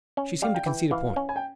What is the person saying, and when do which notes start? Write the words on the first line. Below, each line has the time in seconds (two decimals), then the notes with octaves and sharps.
She seemed to concede a point.
0.17 C#4
0.42 G3 F5
0.54 G5
0.66 E3
0.91 E3 F5
1.16 C#4
1.29 G#5
1.36 G5